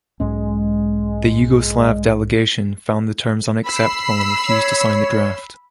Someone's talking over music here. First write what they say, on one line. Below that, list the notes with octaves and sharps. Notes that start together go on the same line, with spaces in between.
The Yugoslav delegation found the terms unacceptable and refused to sign the draft.
B1 G#2 G#3 C#4
B5 E6 C7
C#5